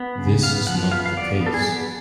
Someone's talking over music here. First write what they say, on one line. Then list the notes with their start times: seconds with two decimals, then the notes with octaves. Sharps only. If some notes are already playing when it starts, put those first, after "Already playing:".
This is not the case.
Already playing: B3
0.18 C#3
0.42 B3 F5
0.67 F3 F#5
0.92 B3 F5
1.06 F5
1.17 B3 D5
1.41 B3
1.46 A4
1.54 G#4
1.66 B3